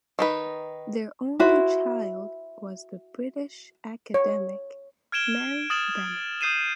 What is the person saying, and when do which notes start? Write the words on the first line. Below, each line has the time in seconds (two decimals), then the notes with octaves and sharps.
Their only child was the British academic, Mary Bennett.
0.19 D#3 D#4 B4
1.40 E4 F#4 C5
4.14 C#5
5.12 F6 G#6 D7 E7 G7
5.70 D#6 F6 A6 E7 F#7
6.41 D#6 G6 C7 D#7 E7